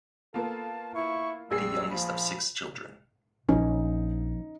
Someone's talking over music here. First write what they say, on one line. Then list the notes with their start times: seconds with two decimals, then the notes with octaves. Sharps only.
The youngest of six children.
0.34 A#3 B3 F4 A4 A5
0.95 E4 C#6
1.51 A#1 G3 G#4 E6 C7
1.90 F3 B5
3.49 A#1 F3 C#4 D#4